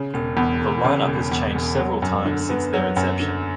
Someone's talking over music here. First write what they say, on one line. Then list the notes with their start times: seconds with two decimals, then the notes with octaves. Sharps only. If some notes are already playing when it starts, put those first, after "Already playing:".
The lineup has changed several times since their inception.
Already playing: C#3
0.14 E1
0.37 E2
0.61 E1
0.84 C#3
1.08 E1
1.32 E2
1.55 E1
1.79 F#3
2.02 F#2
2.26 D3
2.49 B3
2.73 F#3
2.97 F#2
3.20 D3